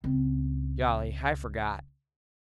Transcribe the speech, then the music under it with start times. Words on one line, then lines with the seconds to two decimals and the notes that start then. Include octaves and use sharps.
Golly, I forgot.
0.04 C#2 C4